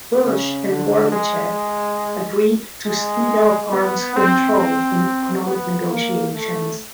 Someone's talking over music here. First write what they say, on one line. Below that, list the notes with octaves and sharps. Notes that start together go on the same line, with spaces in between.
Bush and Gorbachev agreed to speed up arms control and economic negotiations.
C#3
D3
G#3
G#3
B3
C4
C4
B3
A#3
A3